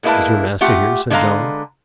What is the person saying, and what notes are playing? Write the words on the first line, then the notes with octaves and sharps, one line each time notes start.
'Is your master here?' said John.
A2 G#3 A#3 E4 B4 A5
A3 F4 G4 F#5
D3 G#3 B3 D#5 F5 A#5